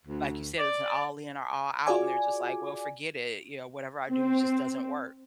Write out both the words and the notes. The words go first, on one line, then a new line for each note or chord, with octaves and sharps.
Like you said, it's an all-in or all-out, and they're just like, "Well, forget it," you know, "whatever I do just doesn't work."
D2
D5
F4 F#4 G#4 D5 G#5 D6
C4